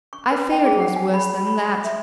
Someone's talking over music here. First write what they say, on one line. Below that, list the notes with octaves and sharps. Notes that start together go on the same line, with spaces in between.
I fear it was worse than that.'
C#6
B4
G5
G#4
F#5
G#5
B5
B5
E5